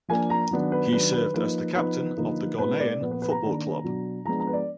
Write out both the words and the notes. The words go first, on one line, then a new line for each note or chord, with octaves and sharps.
He served as the captain of the Ghanaian football club.
F3 A#3 D4 G#5
A#5
D#3 F#3 B3 D4
B4
D#3 F#3 D4 B4
B4
F3 A#3 D#4 B4
F3 B3 D#4 B4
D3 F3 A#3 D#4
A#2 G#3 B3 D#4 B4
D5
A#2 F3 B3 B4
B4
B4
A#5
D#3 A#3 D4
B2 F#3 D4
F3 G#3 B3 D4 A#5
A#5
B4
D5